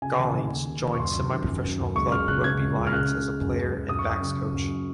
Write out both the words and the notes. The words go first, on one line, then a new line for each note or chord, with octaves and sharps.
Gollings joined semi-professional club Rugby Lions as a player and backs coach.
C#3 G#5
D#2
D#2
C#3
C#3
D#2
C#6
F#2 C6
F#2
D#3
F#2
F#2
F#2
C#2 C#6
C#3 F6
C#3 F#6
C#3 G#6
C#2
C#2
F6
C#3 F#6
C#3
C#3
F#2
F#2
F#2
F#2 D#6
C#6
F#2 D#6
C#3
F#2
F#2